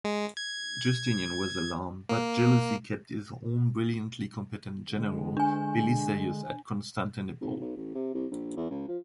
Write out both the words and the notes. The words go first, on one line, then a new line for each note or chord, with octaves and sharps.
Justinian was alarmed, but jealousy kept his one brilliantly competent general Belisarius at Constantinople.
G#3
G#6
A#3
D3 G#3
D4 G#5
G#1
B1
A1
C3
C2
A#1
E2
C#2
F3